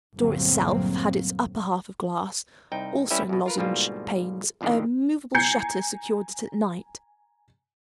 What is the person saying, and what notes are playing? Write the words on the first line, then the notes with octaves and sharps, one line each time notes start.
The door itself had its upper half of glass, also in lozenge panes--a movable shutter secured it at night.
G1 D2 A#2 F#3 A#3 C4
C2 D#4 G5
G3 C#4 E4 B4 E5 G5
F2 B2
F4 A#4 B4
G#2 B2 D3 G3 A#3 F4
F2 A2 D3 D#3
G#5 A#5 G6 G#6 C7 C#7